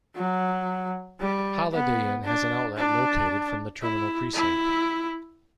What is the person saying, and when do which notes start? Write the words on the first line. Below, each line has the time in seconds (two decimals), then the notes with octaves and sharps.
Holiday Inn has an outlet located from the terminal precinct.
0.15 F#3
1.20 G3
1.72 B3
2.24 D4
2.77 D4
3.81 E4
4.33 E4